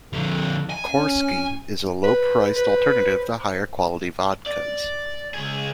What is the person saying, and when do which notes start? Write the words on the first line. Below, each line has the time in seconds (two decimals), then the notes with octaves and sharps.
Korski is a low priced alternative to higher quality vodkas.
0.13 F2 D3
0.70 G#5
0.89 C#4
2.04 B4 C5
2.56 B4
4.47 D5
5.34 C#2 G#4